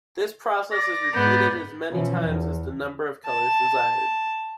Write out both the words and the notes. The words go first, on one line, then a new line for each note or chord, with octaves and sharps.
This process is repeated as many times as the number of colours desired.
D5 A#6
G#2 B3 G6
B2 E3 F3 C#4
E2
A5